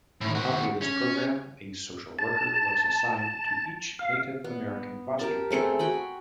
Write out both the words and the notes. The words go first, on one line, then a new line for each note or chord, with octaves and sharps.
Under this program, a social worker was assigned to each Native American foster child.
A2 D#3
C4 F#4
C#4
A5
F5
B3
G4 A#4 A5
A3 C4 G#4 A4
F#4 G5 G#5 B5